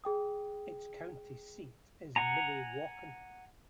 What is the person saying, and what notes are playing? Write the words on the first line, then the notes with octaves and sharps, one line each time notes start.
Its county seat is Minnewaukan.
G#4 G5 D#6
F#5 G#5 A#5